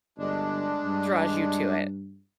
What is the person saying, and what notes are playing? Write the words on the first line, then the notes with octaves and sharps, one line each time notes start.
draws you to it?
G1 G#3 D4
G2